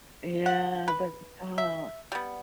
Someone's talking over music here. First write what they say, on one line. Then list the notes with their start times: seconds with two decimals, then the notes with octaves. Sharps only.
Yeah, but, aw
0.46 F#5
0.88 B4
1.58 E5
2.12 G3 B3